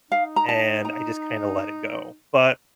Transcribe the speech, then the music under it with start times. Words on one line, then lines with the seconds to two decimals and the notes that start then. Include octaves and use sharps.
and I just kinda let it go, but,
0.11 D#4 F5
0.36 A#5
0.49 A5
0.85 A#5